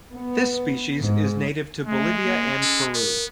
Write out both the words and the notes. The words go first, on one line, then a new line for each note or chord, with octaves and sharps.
This species is native to Bolivia and Peru.
B3
G#2
G#3 A3
A#3
C#4 A4
B3 A#4